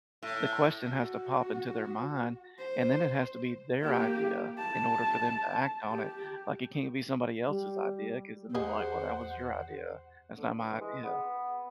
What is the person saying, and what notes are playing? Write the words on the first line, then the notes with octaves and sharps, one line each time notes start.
the question has to pop into their mind, and then it has to be their idea in order for them to act on it. Like, it can't be somebody else's idea 'cause then they're like, "Well, that was your idea, that's not my idea,"
A2
F#4
C5
A#3 G4
A5
G4
G3
E2 G4 G#4 C5 D#5 F#5
D3
E3
G#3
B3